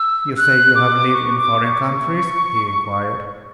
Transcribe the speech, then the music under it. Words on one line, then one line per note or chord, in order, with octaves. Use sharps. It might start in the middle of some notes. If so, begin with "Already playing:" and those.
"You say you have lived in foreign countries?" he inquired.
Already playing: E6
F#6
D6
C#6
D6
C#6